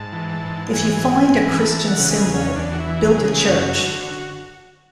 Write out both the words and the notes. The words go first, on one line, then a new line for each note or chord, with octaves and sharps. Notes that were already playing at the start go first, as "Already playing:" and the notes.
If you find a Christian symbol, build a church.
Already playing: G#2 A5
E3
G#2
E3 G#5
G#2
E3
B5
E3 A5
F#5
C#3
G#4
E2
C#4
E2 D4
F#4
E4
E3
G#4
C#3
G#4
F#2 F#4
D3